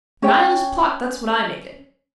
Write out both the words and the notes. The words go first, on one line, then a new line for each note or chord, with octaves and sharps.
A Nihilist plot--that's what I make it.
C#4 C#5 G5